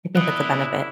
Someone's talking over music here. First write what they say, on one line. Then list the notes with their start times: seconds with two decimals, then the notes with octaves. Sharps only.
I think that's a benefit.
0.16 B2 D4 E4 D#6 F#6